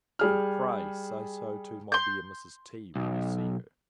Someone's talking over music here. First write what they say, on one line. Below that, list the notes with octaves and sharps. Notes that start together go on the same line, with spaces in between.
And, pray, say so to my dear Mrs. T. when you see her.
G3 G#4 F6
C6 G6
B1